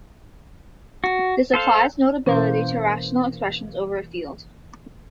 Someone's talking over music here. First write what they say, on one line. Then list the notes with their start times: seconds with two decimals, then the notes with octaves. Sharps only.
This applies notably to rational expressions over a field.
1.04 F#4
1.54 A4 C5 F5
2.26 B2 E3 A#3 C#4 C5